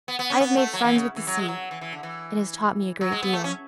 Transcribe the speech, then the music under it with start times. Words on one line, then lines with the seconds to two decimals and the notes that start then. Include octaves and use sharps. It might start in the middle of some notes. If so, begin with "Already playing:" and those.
I have made friends with the sea; it has taught me a great deal.
0.08 B3
0.19 B3
0.30 C#4
0.40 B3
0.57 A3
0.73 F#3
0.84 E3
0.95 C#3
1.17 E3
1.27 F#3
1.38 G#3
1.48 F#3
1.71 E3
1.81 E3
1.93 D3
2.03 E3
3.01 F#3
3.12 G#3
3.22 B3
3.33 A3
3.44 C#4